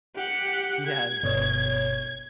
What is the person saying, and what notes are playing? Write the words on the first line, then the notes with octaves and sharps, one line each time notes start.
Yeah, no, yeah.
G4 F#5
G#6
G1 B2 C#5